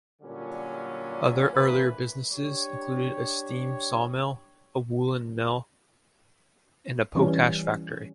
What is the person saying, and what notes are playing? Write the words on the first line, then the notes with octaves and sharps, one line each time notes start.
Other earlier businesses included a steam sawmill, a woolen mill and a potash factory.
A#2 D3 F#3 G3 C#4
D2 E3 A#3 B4
D4 G4 C#5
E3 G3 C#4